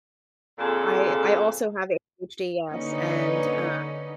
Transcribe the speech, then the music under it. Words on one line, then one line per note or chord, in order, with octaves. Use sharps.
I I also have ADHD, yes, and, uh
F2 A#2 D3 G#4 A4
D3 A#3 C#4 D#4 B4